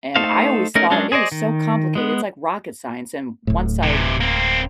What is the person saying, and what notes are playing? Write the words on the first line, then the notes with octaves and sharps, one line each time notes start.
and I always thought, "It is so complicated, it's like rocket science," and once I
A3 D#4 A4 C5 F5
A3 C#4 D#4 A#4
F#3 G#3 C#4 D4 G#4
G#4 C5 D5 D#5
D#3
G#3 B3
D1 A2
C3 E3
A#3 C4